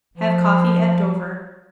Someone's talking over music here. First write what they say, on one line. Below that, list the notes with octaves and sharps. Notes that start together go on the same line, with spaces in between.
Have coffee at Dover.
F3